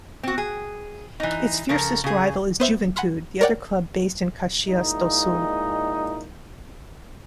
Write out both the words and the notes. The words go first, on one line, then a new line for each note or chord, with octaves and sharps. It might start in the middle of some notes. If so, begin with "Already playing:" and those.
Its fiercest rival is Juventude, the other club based in Caxias do Sul.
C4 F#4
G#4
E3 D#4
C#3 F3 A4 A#4
C#3 G#4
B3 C5 E5
F#5 G#5 B5 C6 F6
A#4 C#5 D5 F#5 G5
A#2 G#3 D#4 E4